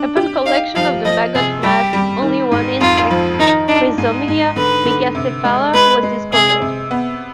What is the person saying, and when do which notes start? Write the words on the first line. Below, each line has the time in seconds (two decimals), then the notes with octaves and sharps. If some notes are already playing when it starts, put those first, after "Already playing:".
Upon collection of the maggot mass, only one insect, "Chrysomya megacephala", was discovered.
Already playing: D4
0.17 G4
0.46 D#4 F5
0.76 F3 F5
1.05 F3 D#5
1.35 C3 G#4
1.63 G3 G4
1.93 G3
2.22 D#3
2.52 G#2
2.81 F2 F4
3.11 F3
3.39 D#3 D#4
3.68 D4 D#4
3.98 G#2
4.28 G#2
4.56 D3 B4
4.85 D3
5.15 C3
5.45 G#3
5.74 G#3 B4
6.03 G#3
6.33 C3 G#4
6.62 C3
6.91 B3